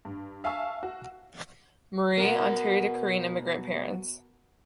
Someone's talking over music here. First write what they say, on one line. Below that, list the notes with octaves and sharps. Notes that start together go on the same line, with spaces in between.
Marie, Ontario to Korean immigrant parents.
G2
E5 F5 G#5 A5 C#6 E6
F#4
B3 F#4 A#4 F#5